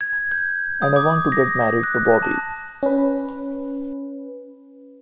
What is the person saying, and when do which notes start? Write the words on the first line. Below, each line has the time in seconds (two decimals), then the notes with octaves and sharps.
And I want to get married to Bobby.
0.01 G#6
0.32 G6
0.82 D#6
0.96 D6
1.32 A#6
1.83 F#6
2.22 A5
2.83 C#4 B4